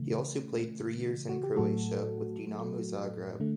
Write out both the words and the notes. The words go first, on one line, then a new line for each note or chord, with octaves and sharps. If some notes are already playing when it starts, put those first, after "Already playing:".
He also played three years in Croatia, with Dinamo Zagreb.
Already playing: C#3 E3 A3
F#4
G4
A2 F#3 A3 F#4 A4
D3 A3